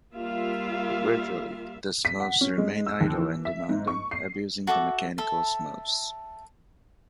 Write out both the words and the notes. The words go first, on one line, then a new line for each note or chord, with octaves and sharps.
Gradually, the Smurfs remain idle and demanding, abusing the mechanical Smurfs.
G3 A#3 F4 E5 F5
B6
F#5
C#4
G#3
E6
D#2
E3
E5
G#2
C#6
C7
F#4 A4 E5 D6
A4 E5